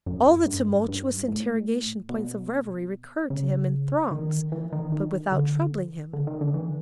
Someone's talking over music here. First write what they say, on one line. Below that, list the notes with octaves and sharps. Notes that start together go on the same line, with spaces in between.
All the tumultuous interrogation points of revery recurred to him in throngs, but without troubling him.
F#2
G2
G2
A2
B2
C#3
D#3
E3
D#3
D#3
D3
D3
D#3
D3
E3